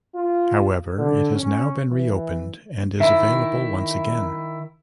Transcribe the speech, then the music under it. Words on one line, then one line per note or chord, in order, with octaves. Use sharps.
However it has now been reopened and is available once again.
F4
D3
C#4
E3
D#3 E4 E5